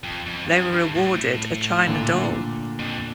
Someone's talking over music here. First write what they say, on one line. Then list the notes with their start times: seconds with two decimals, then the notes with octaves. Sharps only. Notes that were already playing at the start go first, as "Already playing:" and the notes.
They were awarded a china doll.
0.03 F2
0.26 F2
0.50 G2
0.72 G2
0.95 A2
1.87 A#2 D3
2.79 F2